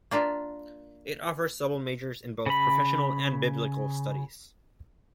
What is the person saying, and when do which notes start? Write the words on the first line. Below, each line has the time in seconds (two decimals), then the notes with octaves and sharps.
It offers double majors in both professional and biblical studies.
0.11 A#3 D4 F4 E5
2.46 C#3 B5